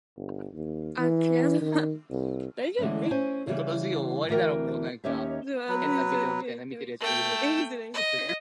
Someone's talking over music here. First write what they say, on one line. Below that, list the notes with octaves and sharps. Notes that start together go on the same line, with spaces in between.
At the advance resumed towards Hessian Trench, which was taken easily.
G1
D#2
E3
D#3
C2
D3 E3 G#3 A3 C#4
C#4 C5 G#5
C#3 E3 G3
D2 E3 F#4 A#4 G5
D#2 C#4 D#4 G4 C#5 E5
F#3 B4
A3 G5
D#5